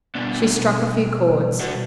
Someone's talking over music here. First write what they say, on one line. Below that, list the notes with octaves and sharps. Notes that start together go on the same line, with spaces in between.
She struck a few chords.
B2 G3 B3 D4
D4 F#4